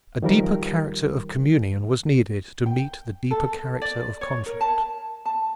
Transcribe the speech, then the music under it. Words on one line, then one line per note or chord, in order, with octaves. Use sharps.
A deeper character of communion was needed to meet the deeper character of conflict.
D#3 F3 G3 G4 A#4
G5
A4
D5
C#5
A#4
A5
A5